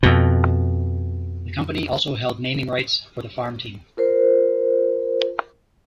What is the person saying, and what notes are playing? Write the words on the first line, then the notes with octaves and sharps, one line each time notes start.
The company also held naming rights for the farm team.
F2 B2
F4 A#4 C5